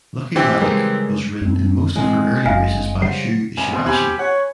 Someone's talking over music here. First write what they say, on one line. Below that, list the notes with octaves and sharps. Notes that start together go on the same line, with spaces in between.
Lucky Lilac was ridden in most of her early races by Shu Ishibashi.
E3 C4 G4
C#3 G3 G#3 G#4 A#4 B4
F#2 C4
A2 E3 G#3 C4 F#5
F#1 F5 G#5
C#3 F#3 G3 C5 F#5
C#2 G#5
B2 C4
G4 G#5 B5 G#6
C#5 F#5